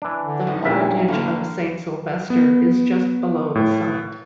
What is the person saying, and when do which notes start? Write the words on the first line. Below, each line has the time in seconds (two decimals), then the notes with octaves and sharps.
The hermitage of Saint Sylvester is just below the summit.
0.02 E3 D4
0.24 D3
0.47 F2 A2 D#4
0.62 A#1 D#2 A#2 G3 C#4 E4 E5
1.08 A2 D3 A#3 F5
2.30 B3
3.55 A2